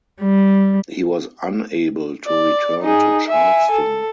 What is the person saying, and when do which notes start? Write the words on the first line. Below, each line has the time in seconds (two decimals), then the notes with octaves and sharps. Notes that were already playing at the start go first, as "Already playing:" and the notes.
He was unable to return to Charleston.
0.22 G3
2.26 D5
2.82 D#4 G#4
3.28 E5 G#5
3.71 A4